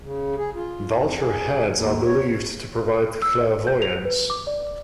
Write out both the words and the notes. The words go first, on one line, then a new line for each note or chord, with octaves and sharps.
Vulture heads are believed to provide clairvoyance.
C#3
G#4
F4
F2
G#4
D#2
C#5
E6
D#5
G6
F7
B4
D6
D5